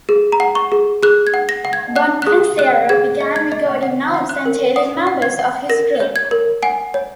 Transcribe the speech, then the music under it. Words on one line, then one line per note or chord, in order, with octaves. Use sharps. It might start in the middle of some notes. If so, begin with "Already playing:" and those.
Bonpensiero began recording notes and tailing members of his crew.
G#4
A#5
F#5
C#6
G#4
G#4 F#6
G#6
F#5
A#6
F#5
G#6
F#5 F#6
F#6
G#4 D#6
D#5 F#6
G#4 G#6
D#5
G#6
D#5
F#5
F#5
F#6
A#4
F#5 D#6
F#5
G#6
F#5
A#4 A#6
C#5
G#6
A#4
F#5 G#5
C#5